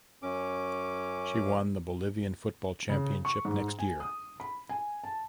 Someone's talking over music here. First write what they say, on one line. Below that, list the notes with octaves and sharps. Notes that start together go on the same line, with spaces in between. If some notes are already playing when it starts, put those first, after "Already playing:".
She won the Bolivian football championship next year.
F#2 C#4 D6
C#3
C#6
G#2
G#5
D#6
B5
G#5
A5